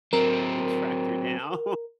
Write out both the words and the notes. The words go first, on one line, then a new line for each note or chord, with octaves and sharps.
tracked her down
F#3 C4 A#4